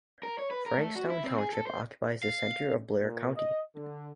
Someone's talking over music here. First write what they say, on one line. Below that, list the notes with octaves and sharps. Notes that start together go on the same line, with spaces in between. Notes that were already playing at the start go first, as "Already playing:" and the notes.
Frankstown Township occupies the center of Blair County.
A#4
C#5
B4
A#4
A3
F#4
E4
C4
G#4
A4
C5
F5
A#2
D#5
D3